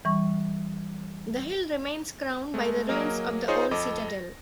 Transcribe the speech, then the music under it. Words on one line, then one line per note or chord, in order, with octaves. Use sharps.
The hill remains crowned by the ruins of the old citadel.
E3 G3 C#6
G#3 A3
F#3 A#3 G#4 A#4 D#5
D#4 F4 G#4 C5 C#5 D#5
F2 A4 D#5 D6
A#6